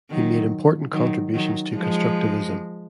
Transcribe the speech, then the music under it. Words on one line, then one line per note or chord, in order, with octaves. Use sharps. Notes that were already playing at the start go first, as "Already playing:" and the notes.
He made important contributions to constructivism.
D#3 F#3
D#3 F#3
D#3 F#3
F3 G#3